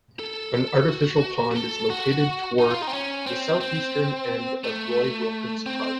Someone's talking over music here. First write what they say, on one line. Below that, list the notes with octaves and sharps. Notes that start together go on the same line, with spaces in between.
An artificial pond is located toward the southeastern end of Roy Wilkins Park.
A4
A4
F#4
F#4
A4
F#4
D#4
F4
D#4
C4
C#4
C4
C4
A3
C4